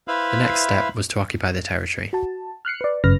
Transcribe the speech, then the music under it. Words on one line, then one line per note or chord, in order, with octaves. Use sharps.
The next step was to occupy the territory.
E4 B4 C5 E5 F5 B5
F#4 A5
F6 F#6 C7 C#7
B4 D5
G1 F#2 C#3 B4 F6 A#6